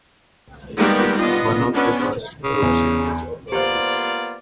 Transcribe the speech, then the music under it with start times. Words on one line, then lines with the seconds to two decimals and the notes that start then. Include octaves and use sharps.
One of the worst crooks in town!
0.77 D#3 G3 G#3 A#3 B3 G4
1.17 B3 D4 F4 D#5
1.73 B3 C#4 D4
2.44 C#3
2.62 E2
3.52 A#3 B3 F4 G4 C5 D5